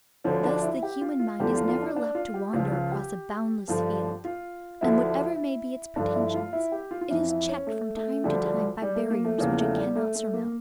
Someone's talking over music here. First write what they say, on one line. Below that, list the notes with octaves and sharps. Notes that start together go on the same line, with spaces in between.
Thus the human mind is never left to wander across a boundless field; and, whatever may be its pretensions, it is checked from time to time by barriers which it cannot surmount.
D2 D3 F3 C#4
D4
E4
G4
F4
F4
E2 D3 F3 G4
F4
F4
D4
D4
F4
G4
C#2 C#3 F3 F4
F4
G4
G2 D3 F3
F4
D2 D3 F3 E4
G2 D3 F3 D4
E4
F4
E4
G4
F4
F4
F2 E3 E4
E4
C#4
A3
A3
D2 D3 F3 G3
G3
G3
A3
A#3
A3
E2 C#3 F3 A#3
A3
G3
A3
A3
A#3